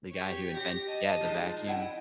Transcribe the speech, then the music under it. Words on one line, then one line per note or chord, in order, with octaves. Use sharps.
the guy who inven Yeah, the vacuum.
G4 C#5
G4 A#6
D#5 A5
F3 G#3 D#4
E4 D#5 F#5 G5